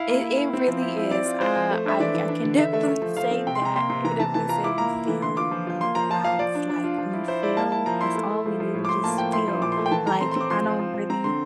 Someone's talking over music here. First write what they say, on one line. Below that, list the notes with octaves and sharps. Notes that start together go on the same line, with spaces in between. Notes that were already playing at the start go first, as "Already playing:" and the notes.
It it really is. Uh, I I can definitely say that I can definitely say we feel a lot, like, we feel that's all we do. We just feel like, I don't really
Already playing: E4 F5
A#3
E4
E4
C4
F3
E4
E4
C4 D5
F4
F4 C5
F3
A3
D4 E5
E3 D5
E3
D4
D3
D3 E5
A3 E5
A3
F3
F3 F5
C4
C3 G5
C6
C3 A#5
A#3 C6
C3 C6
E3 A#5
E3 A5
E3 A5
F4 A#5
E4 D6
A#3 A#5
A#3
E3
D3 C6
F4 D6
F3
F4
A#3 C6
F3 A#5
F4 A5
F3 F5
F3 D5
D4
D4
F4
F3
E4
E4 C5
E4 D5
A#3 A5
E4 A5
F3 A#5
E4 C6
A3
A3
F3
F3
A2
D6
A2 C6
A#3 A5
F3 G5
E4 C6
F3
A#2 D6
C6
A3
G5
E3 A5
E3 A#5
C4 C6
C6
C4 D6
F3 C6
F3
F3
F3
C4 A#5
D3 C6